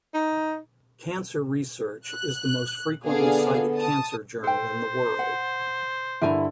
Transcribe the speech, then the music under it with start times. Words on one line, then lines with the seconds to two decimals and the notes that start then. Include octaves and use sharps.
"Cancer Research" is the most frequently cited cancer journal in the world.
0.14 D#4
2.06 F#6
3.05 D3 B3 D4 G#4 F5
3.76 A5 D#6
4.44 A4 C5 G5
5.19 F#5
6.21 G2 D3 E4 A#4 G#5 A#5